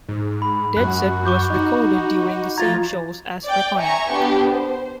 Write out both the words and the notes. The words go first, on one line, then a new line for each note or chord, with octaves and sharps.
"Dead Set" was recorded during the same shows as "Reckoning".
G#2
B5
F#2 F#4 F#6
C#6 D6 G6
D#4 F#4
F3 F4 A#5 G#6 A6
D5 G5
E5 G#5 A#5 C#6
B3 D4 G4
C5